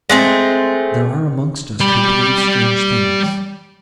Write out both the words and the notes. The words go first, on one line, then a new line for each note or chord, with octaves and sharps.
There are amongst us, who believe strange things.
G#3 A3 C4
G3 B5